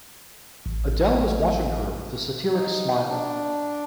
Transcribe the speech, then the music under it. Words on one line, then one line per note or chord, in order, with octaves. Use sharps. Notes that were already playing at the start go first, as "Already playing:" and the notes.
Adele was watching her with a satiric smile.
A1
D#4
D4